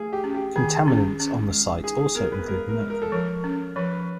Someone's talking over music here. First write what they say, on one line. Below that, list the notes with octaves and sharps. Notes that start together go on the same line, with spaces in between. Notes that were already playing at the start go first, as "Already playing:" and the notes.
Contaminants on the site also include mercury.
Already playing: A3 G#4
G4
C#4
G4
D#3 G#4
C#4
C#4
G#3
D#4 G#4
G#4
B3 A#4
B4
G#3 A#4
A#4
G#3
A#4
A4
F3 A#4
C#4
F3 B4